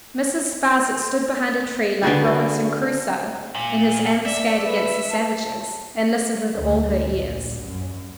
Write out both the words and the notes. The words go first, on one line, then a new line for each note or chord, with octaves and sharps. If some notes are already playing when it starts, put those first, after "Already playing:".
Mrs. Sparsit stood behind a tree, like Robinson Crusoe in his ambuscade against the savages, and listened with all her ears.
D3 B3 F#4 G#4
A#2
D5 E5
B4
A5
D2
A#1
F#2